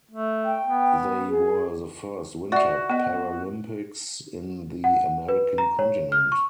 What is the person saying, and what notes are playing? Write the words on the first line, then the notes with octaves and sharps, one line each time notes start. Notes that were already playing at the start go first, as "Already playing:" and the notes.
They were the first Winter Paralympics in the American continent.
A3
G5
B3
G#4
F#4 D5 E5
B3 D#5
F#5
B4
A#5
C#5
F6
C#6